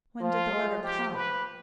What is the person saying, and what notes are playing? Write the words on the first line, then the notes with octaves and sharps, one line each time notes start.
When did the letter come?'
F3 F4
G#3
F3 G4
B4